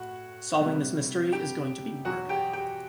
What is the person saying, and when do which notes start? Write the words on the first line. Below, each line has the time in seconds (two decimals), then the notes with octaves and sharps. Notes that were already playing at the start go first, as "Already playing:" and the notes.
Solving this mystery is going to be murder.
Already playing: A2 F#4 F#5
0.60 C3 G3 B3
1.32 G4 G5
2.05 E2 B2 F#3 F#4 F#5
2.29 G4 G5
2.53 G4 G5